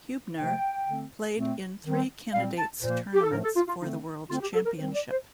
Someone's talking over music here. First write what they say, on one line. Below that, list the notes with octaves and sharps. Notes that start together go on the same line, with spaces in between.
Hubner played in three Candidates Tournaments for the World Championship.
C3 F3 A3 G5
D3 A3 C4
A#2 A3 C4
D#3 G3 C4
A#2 G3 C4 F5
A5
A#2 F3 A#3 C5
G4
A4
A2 F3 A3 A#4
A4
F4
F4
D3 A3 C4 D#4
D3 A3 C4 F4
G4
A4
A#4
D#3 G3 C4 C5
D5
C5